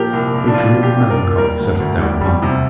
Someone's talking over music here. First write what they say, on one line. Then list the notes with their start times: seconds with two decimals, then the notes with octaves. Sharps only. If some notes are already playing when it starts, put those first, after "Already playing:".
A dreary, melancholy settled down upon her.
Already playing: A#2 F3 G4 A#4
0.13 C2
0.33 C2
0.47 D4
0.54 F3 F4
0.75 A#2
0.83 G4
0.97 C2
1.10 A#4
1.17 A#2
1.38 G3 A#4
1.59 D2
1.80 D2
2.00 G3
2.21 G3
2.42 C3